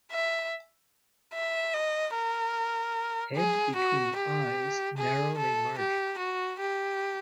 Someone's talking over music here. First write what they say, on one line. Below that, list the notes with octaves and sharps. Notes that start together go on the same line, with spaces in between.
Head between eyes narrowly margined.
E5
E5
D#5
A#4
G#4
F#4
G4
G#4
A4
G4
F#4
G4